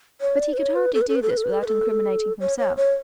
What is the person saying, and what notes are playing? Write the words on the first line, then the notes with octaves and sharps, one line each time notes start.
But he could hardly do this without incriminating himself.
C#5
D5
B4
C#5
B4
A4
B4
A4
B4
A4
B4
A4
B4
A4
B4
A4
C#5
C#5
C#5